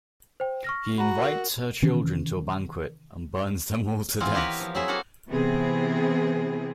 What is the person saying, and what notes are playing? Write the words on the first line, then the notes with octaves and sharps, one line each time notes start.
He invites her children to a banquet and burns them all to death.
C5 G5
C#6 F6 A#6
F#4 A#5 B5
A#4
C3 D#3 E3 C#4
D#3 E3 B3 C4 E4 F4
B3 E4 G4 A#4 B4 C#5
F3
F#3 C4 E4 G#4 E5
A#3 F#4 A4 F5 F#5
C3 E3 B3 C4 E4 G#4